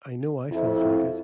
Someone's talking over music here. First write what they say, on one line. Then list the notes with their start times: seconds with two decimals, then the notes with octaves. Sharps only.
I know I felt like it.
0.51 F2 E4